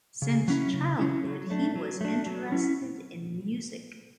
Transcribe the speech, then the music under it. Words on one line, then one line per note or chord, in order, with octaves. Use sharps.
Since childhood he was interested in music.
C#3
F#3 C#4 E4
C#3
F#3 C#4 E4
F#3
A3 D4
F#3
A3 D4
F#3
C#4 E4